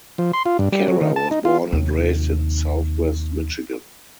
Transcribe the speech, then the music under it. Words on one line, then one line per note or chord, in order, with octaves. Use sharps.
Carra was born and raised in Southwest Michigan.
F3
C6
F4
G2
G3
F#3
D#3
A5
D#4
F4
D#2 C3